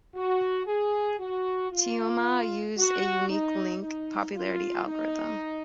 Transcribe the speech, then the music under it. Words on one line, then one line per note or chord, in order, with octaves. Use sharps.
Teoma used a unique link-popularity algorithm.
F#4
G#4
F#4
F4
F#4
D#4
D#4
F4
D#4